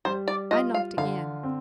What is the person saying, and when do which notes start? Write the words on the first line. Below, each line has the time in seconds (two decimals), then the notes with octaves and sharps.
I knocked again.
0.05 G3 C5
0.28 D5
0.51 F4 D#5
0.74 F5
0.97 D3 F5
1.43 C4